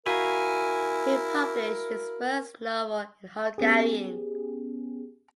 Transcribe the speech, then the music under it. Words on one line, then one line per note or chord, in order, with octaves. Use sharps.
He published his first novel in Hungarian.
E4 F#4 A#4 F5 G#5 A#5
B3 C#4 G4 G#4